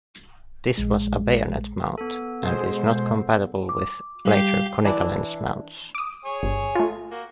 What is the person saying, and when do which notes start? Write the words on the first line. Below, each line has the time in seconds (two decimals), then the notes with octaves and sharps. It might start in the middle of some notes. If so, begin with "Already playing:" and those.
This was a bayonet mount, and is not compatible with later Konica lens mounts.
0.78 A#1 G#3
1.98 B3 A4
2.42 B2 G#3 C5
3.69 D6
4.25 G3 G4 F5
4.85 E3 D4 E4
5.95 D6 D#6
6.25 G#4 C#5 G#5
6.43 G1
6.75 A3 F4
7.11 A#3 F#4